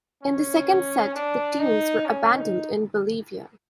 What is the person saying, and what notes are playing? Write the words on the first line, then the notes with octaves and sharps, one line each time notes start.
In the second set, the teams were abandoned in Bolivia.
C#4
D4
D#4
C#4
D#4